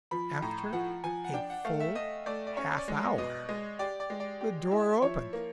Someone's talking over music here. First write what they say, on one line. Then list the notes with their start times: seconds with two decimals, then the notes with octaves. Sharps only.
After a full half hour the door opened.
0.11 F3 B5
0.42 A2 A#5
0.73 F3 F#5
1.04 F3 G#5
1.24 F#5
1.34 D4 G5
1.50 F#5
1.65 A3 F5
1.80 E5
1.95 A3 D#5
2.26 A3 D5
2.47 D5
2.57 C#4 C#5
2.77 D5
2.88 G#3
3.18 B2 D#5
3.49 G#3 D#5
3.79 G4 D5
4.00 D5
4.10 G#3
4.20 D5
4.41 G4
4.71 E4
5.02 F3 C#5
5.33 A#3